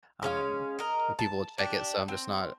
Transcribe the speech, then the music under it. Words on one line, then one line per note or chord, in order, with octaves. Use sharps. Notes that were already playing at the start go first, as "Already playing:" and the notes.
um, and people would check it, so I'm just not
G#3 C#4 F5
A#4 D#5
A5
D4 G4
C4